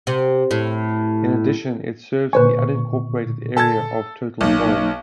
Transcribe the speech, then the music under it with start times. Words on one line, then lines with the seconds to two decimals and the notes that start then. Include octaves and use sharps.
In addition it serves the unincorporated area of Turtle Cove.
0.07 C3
0.51 A2
2.33 A#2 D3 B4 C5 G#5 C#6
3.57 A4 G#5 A5 G#6
4.41 B1 F#3 A#3 D#4